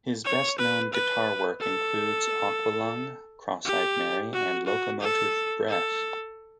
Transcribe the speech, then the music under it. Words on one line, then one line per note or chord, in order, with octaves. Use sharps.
His best-known guitar work includes "Aqualung", "Cross-Eyed Mary", and "Locomotive Breath".
C#5
B4
B4
A4
G4
F#4
F#4
A4
A4